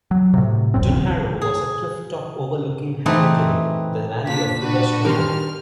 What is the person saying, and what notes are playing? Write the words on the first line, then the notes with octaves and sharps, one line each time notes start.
Dunharrow was a cliff-top overlooking Harrowdale, the valley of the river Snowbourn.
F#3
A2 C3
D1 G1 F#2 C4
D#1 B1
G#4
E3 A3 C4 D#4 G4 B4
A#2 D4 A5 B6
D4 F#4 B4
D#3 G3 A#4 C6 F6